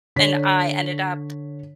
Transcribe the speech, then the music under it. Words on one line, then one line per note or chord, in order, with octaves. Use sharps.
and I ended up
D3 C#5 B6